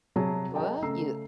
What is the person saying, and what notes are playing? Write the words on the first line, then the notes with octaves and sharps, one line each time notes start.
Well, you
C3 F#3 G#4 A5
G#4 A#4 D#5 G5 A5 A#5
C#3 A3 A#5 E6 C7